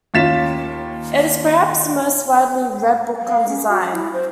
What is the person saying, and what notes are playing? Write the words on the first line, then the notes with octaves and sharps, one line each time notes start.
It is perhaps the most widely read book on design.
D#2 C#4 F4 A6 B6 E7
F5
C#4
F#4
E4
C5